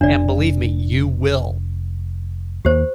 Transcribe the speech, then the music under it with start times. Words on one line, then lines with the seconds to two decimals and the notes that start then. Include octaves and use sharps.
And believe me, you will.
0.01 F1 D4 D5
2.65 D#2 A#3 G4 C5